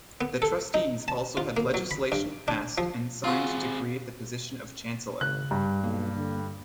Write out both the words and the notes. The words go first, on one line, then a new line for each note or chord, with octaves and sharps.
The trustees also had legislation passed and signed to create the position of chancellor.
B3
A4
D#4
A5
F4
A#3
F#3
B5
G2
D4
F3
C4 F4 F#4 G#4
G#1 C#3 F#6
G2 G3
B1 A#3
D3